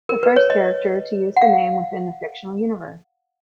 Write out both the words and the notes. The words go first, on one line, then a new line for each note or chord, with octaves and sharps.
The first character to use the name within the fictional universe.
A#4
B4
C#5
D#5
F#5
F5